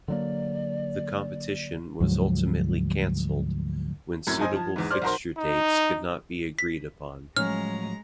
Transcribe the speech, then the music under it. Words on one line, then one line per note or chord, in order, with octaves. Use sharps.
The competition was ultimately cancelled, when suitable fixture dates could not be agreed upon.
D3 F#3 A#3 D5
D2 G#2 F3 F#3
F#2 A2 C3 G#6
C5 D#5 G#5
F3 A5
E2 G#2
C5 D5 F6
B1 F#4 A#4 C5 C6
D#4
B6
A2 F3 F#3 G#3 C#4 A#5 F6